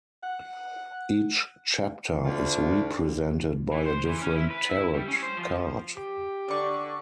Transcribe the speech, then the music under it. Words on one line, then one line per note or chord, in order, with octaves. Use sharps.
Each chapter is represented by a different Tarot card.
F#5
D2 F4
E3
C5
E3
C#4
E4
B4
E4
G3
C#4
C5
F3
G4
D3 D5 C#6